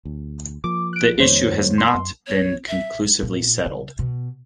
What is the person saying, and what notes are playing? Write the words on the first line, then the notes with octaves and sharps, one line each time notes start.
The issue has not been conclusively settled.
D2
F3 A#3 D6
F#6 D7
F2 D#3 G3 A#3 C5 C#5
C6
F#2
C#5
E5
A#2
C#3
B2